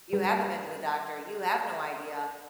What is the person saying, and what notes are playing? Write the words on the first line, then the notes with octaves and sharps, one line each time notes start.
You haven't been to the doctor, you have no idea,
G3 B4